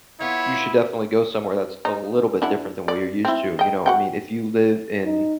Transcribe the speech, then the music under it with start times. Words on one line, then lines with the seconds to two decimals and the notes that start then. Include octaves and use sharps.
you should definitely go somewhere that's a little bit different than where you're used to, you know? I mean, if you live in
0.20 B3 E4 F4 C#5
1.85 D#4
2.42 D4 E4 F#5
2.88 D5
3.25 C4 E4
3.59 D#5 G5
3.86 F#4 F#5 G5
5.05 D#4